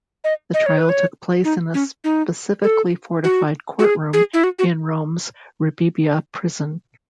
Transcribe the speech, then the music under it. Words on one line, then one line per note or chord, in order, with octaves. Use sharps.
The trial took place in a specially fortified courtroom in Rome's Rebibbia prison.
D#5
D#5
C#5
B4
C#5
D#4
C#4
D#4
A4
F#4
F#4
G#4
G#4
E4
F#4
F#4